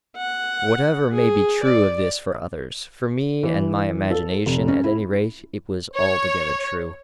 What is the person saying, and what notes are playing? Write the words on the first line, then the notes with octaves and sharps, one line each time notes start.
Whatever may be true of this for others, for me and my imagination, at any rate, it was altogether true.
F#5
G#4
D5
E3
A4
F1
C#4
E4
C#5